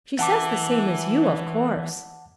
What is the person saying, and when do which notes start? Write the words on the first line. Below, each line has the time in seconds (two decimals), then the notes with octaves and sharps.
"She says the same as you, of course."
0.19 E3 F#5 A5 D6